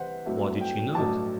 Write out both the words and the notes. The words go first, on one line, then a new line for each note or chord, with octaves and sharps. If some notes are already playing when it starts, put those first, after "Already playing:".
Why did she know it?
Already playing: C2 C3 E3 B4 C5 F#5
G2 F#3 A3 C4 E4
G5
A1 G2 F#3 A3 A5